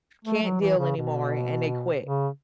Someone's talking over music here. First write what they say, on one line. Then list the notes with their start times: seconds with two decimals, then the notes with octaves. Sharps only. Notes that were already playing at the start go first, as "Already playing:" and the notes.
can't deal anymore, and they quit.
0.25 A3
0.42 F#3
0.61 E3
0.77 C#3
0.96 B2
2.04 C#3